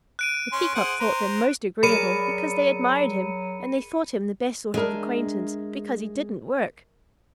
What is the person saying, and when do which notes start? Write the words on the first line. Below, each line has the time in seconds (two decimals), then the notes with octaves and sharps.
The Peacock thought them most agreeable, because they admired him, and they thought him the best sort of acquaintance, because he didn't work.
0.19 F#6 D7 D#7
0.52 C#4 C6
0.75 G#4 C5 F#5
1.00 C5 A#5
1.83 F#3 G#4 A#4 D5 B5 C#7 D#7
4.74 G#3 D4 G#4 A#4 D#5 E5